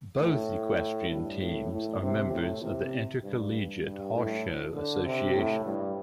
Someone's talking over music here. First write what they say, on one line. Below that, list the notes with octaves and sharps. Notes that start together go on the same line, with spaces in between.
Both equestrian teams are members of the Intercollegiate Horse Show Association.
A2
G2
A2
A2
C3
A2
C3
G2
G2
A2
D3
C3
A2
G2